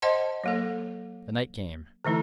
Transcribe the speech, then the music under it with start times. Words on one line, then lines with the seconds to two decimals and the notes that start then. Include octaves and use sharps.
The night came.
0.02 C5 D#5 F#5 A5 C6
0.44 F#3 A#3 A4
2.05 D3 E3 A3 E4